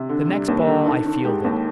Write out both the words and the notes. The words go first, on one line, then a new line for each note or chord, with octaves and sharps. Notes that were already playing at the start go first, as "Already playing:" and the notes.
The next ball I fielded.
Already playing: C3
D3
G3
D#2
D3
D#3 A4
D#3
G#3 G4
D#2